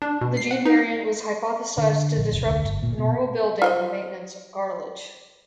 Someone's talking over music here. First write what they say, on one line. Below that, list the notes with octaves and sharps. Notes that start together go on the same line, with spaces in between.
The gene variant was hypothesized to disrupt normal building and maintenance of cartilage.
D4
B2
C7
F#5
D#4
D3
A#1
F1
D2
G1
A#2
B2
F4 C5 D#5